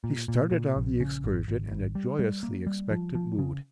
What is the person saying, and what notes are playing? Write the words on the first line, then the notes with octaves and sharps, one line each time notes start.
He started on the excursion in a joyously expectant mood.
A#2
A#2
A#2
A#1
C#3
G#1
G#1
G#1
G3
G3
A#3
G3
F3
F3
C#3